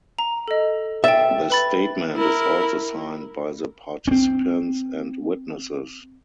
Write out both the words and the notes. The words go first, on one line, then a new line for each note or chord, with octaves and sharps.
The statement is also signed by the participants and witnesses.
A#5
A4 D#5
E5 G5 A6
B4 B5 A6
E4 A#4
C4 C#4